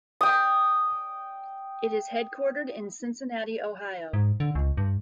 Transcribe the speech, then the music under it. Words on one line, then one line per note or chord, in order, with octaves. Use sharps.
It is headquartered in Cincinnati, Ohio.
G5 D#6
G#2
D3
C#2
G2